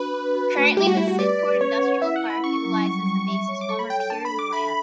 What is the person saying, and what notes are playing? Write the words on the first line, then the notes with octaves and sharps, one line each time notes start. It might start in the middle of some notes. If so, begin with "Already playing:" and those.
Currently, the Sydport Industrial Park utilizes the base's former piers and land.
Already playing: D4 F#4 B4
D4
F#4
A3
G3 G4
F#4
E4 G4
F#4
B4 D5
B4
C#4 C#5
F#5
E4 E5
F#5
E4
B5
C#4 C#6
F#3
G3
G3
E5
C#5
D6
A4 C#6
B5
A4 G5
G5
D4 A5
B5
A4
D6
E5 B5